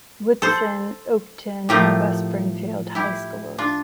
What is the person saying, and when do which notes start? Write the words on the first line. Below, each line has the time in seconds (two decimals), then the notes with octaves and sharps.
Woodson, Oakton, and West Springfield high schools.
0.42 A4 C5
1.69 A2 F3 A3 G4 A#4
2.95 E4 G4
3.58 D4 F4